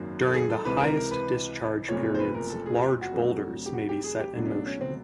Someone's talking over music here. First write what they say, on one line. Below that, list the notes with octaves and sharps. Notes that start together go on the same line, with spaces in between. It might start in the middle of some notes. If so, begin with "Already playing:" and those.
During the highest discharge periods large boulders may be set in motion.
Already playing: G#1 F#2 D#3 F#3 A#3
A4
G#4
A4
C#2 C3 E3 B4
A#4
A#4
B4
F#1 E2 C3 F3 A3 C#5
C5
B4
A#4
A4
G#4
G4
F#4
F1 F2 D3 F#3 A3
G4
F#4
G4
G#4
G4
C#2 B2 F#3 A3 D4
C#4
D4
C#4
C4